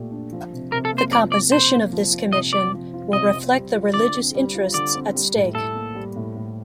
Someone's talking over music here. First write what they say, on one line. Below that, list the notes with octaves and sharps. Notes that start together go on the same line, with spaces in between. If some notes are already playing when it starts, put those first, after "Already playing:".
The composition of this Commission will reflect the religious interests at stake.
Already playing: A#2 A3 G4
D4
F3
C3
C3 A#4
A4
A#3
C5
F3 D5
C3 D5
C3 C5
A#3
F3
F4
C3 D#5
C4 D5
F3
F4
C3 D#5
C4
G3
F4
D3 D5
C4
G3
F4
D3 D5
C4
G3
A2
A2 A4
A#3
G3
A2
A2